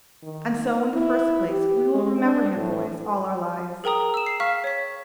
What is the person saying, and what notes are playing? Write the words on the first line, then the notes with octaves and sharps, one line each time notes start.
And so in the first place, we will remember him, boys, all our lives.
D#3
E4
G4
G#3
D4
A2
G#4 A#4 G5 A#5 D#6
E6 E7
C7
F5 C#6 F6 B6
C#5 B6